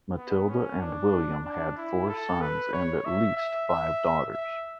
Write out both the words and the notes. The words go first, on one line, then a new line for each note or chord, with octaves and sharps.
Matilda and William had four sons and at least five daughters.
B3
C#4
D4
D4
E4
A4
B4
C#5
E5
E5
E5
E5